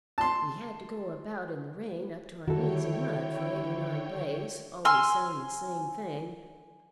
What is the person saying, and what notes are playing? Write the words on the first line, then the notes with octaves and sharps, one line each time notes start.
We had to go about in the rain up to our knees in mud for eight or nine days, always saying the same thing.
A5 C6
D3 D#3 E4 F#4 A4 C#5 G5
G#5 C6 E6 F6